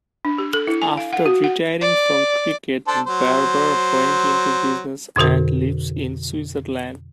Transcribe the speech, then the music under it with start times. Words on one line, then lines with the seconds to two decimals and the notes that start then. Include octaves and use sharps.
After retiring from cricket, Barber went into business and lives in Switzerland.
0.25 D4
0.38 G4
0.54 A4
0.67 E4
0.82 G#5
0.97 F5
1.13 F#5
1.26 F#4
1.44 F#5
1.81 D5
2.88 D4 A4 C5
3.07 F#3 C5
5.16 F2 B2 D3 F#4 A#4